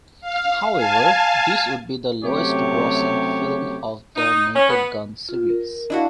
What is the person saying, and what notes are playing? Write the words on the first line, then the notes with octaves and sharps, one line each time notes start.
However, this would be the lowest-grossing film of the "Naked Gun" series.
F5
F5 G#5 A5
C3 F#3 A3 C#4 G4 C#5
D#4
C#4
B3
F4
A#4
D4 E4 F#4 D#5 F5